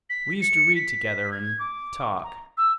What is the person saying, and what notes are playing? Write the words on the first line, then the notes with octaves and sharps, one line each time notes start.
We used to read together and... talk.
B6
C#7
B6
G#6
D6
A#5
E6